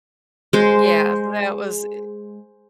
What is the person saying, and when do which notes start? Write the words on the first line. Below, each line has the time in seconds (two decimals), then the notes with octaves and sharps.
Yeah, that was, i
0.53 G#3 C5